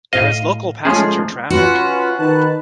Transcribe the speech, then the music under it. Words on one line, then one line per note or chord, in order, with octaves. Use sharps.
There is local passenger traffic.
A2 D#5 F5
F3 G#3 A3 C#4 G#4
C#4 F4 F#4 B4
D#3 D#4 B4 A5 F#6